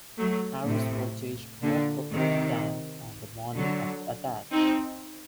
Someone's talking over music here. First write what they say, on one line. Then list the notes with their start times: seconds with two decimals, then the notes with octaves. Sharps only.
Harris purchased more propane tanks on the morning of the attack.
0.18 F#3 A3
0.66 A2 C3
1.63 A#2 D3
2.11 C3 D#3
3.56 D3 F#3
4.53 C4 D#4